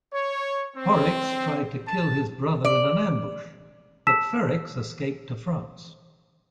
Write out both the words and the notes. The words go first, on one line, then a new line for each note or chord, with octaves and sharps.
Porrex tried to kill his brother in an ambush, but Ferrex escaped to France.
C#5
C4
A5
D5
A5 E6 B6 E7